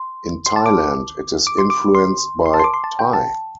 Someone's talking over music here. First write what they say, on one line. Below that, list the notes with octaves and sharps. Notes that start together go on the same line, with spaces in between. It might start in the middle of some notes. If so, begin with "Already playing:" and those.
In Thailand, it is influenced by Thai.
Already playing: C6
C6
A5
D6
D6
C6
D6
C6
C6
A5
C6
D6
C6
A5
G5
A5